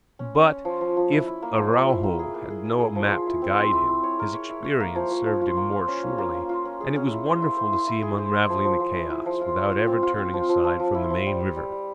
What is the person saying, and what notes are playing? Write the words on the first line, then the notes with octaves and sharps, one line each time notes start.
But if Araujo had no map to guide him, his experience served him more surely, and it was wonderful to see him unraveling the chaos, without ever turning aside from the main river.
C#4
C#4
C#4
F3
F3
F3
E4
E4
A#3
F3
A#3
E4
A#3
G#4
A#3
G#4
G#4
G#4
F3
F3
E4
C4
C4
E4
E4
C#5
A#4
C#5
E4
C#5
A#3
F3
F3
F3
F4
A#3
F4
C#4
A#3
A#3
A#3
F4
C#4
G#4
C#4
E4
C5
E4
C5
E4
E4
G#4
C5
C5
F3
F3
F3
E4
E4
F3
F4
C#5
F4
C4
F4
C4
F3
F3
F3
F3
E4
F3
G3
G3
G3
G3